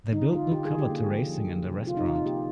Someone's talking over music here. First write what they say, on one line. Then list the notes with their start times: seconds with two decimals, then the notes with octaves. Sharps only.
They built new covered terracing and a restaurant.
0.13 D3 D#4
0.32 D3 F4
0.51 D3 G4
0.65 G#4
0.71 D3
0.78 G4
0.90 A#3
1.09 F3
1.29 F3
1.49 F3
1.67 C3
1.87 C3 F4
1.97 D#4
2.06 C3 F4
2.16 D#4
2.26 A#3 G4